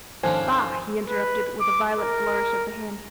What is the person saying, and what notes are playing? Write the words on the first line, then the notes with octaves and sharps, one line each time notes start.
"Bah!" he interrupted, with a violent flourish of the hand.
D#2 G#2 D3 F3 C#4 C5 G#5
B4
D6
A#4